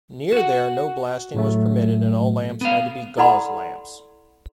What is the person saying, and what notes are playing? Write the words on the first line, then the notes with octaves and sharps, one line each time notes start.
Near there no blasting was permitted and all lamps had to be "gauze lamps".
F#4 F#5
A2 F#3 A3
B3 F5
E4 A4 D5 F#5 B5 C6